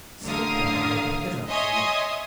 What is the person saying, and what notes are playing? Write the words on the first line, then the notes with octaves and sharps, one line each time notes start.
See a pin and pick it up for luck.
A1 A2 D3 A#4 F5 D#6
C#5 D#5 E5 G#5 C6 D#6